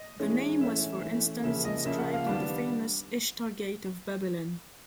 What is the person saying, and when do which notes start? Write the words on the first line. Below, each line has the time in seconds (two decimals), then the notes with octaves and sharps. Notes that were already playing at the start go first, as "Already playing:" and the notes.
The name was for instance inscribed in the famous Ishtar Gate of Babylon.
Already playing: D#5
0.20 E3 G#3 C#4
0.61 E3 A3 C#4 E5
1.02 E3 A3 C#4
1.44 C#3 F3 A#3 C#4 E5
1.65 D#5
1.85 C#3 F3 A#3 C#4 E5
1.99 F#5
2.14 F5
2.27 D#3 G3 B3 D4